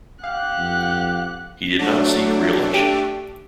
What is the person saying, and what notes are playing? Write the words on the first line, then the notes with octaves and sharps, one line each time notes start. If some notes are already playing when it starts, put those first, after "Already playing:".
He did not seek reelection.
G4 F5 F#5 F#6
F2
F#3 A3 D4
G4